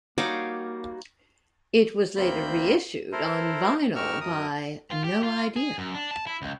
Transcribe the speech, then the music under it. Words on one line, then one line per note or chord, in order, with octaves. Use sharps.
It was later reissued on vinyl by No Idea.
G3 A#3 D#4 F#4 C#5 F5 D6
D2 A#3 C4 B5 G6
E4 A4 A#4 C5
G#2 G4 A#4 C#6 E6 F6
F#2 A#4 D#6
F4
G4
F4
G#4
F#2
D4
A5
E4
C#2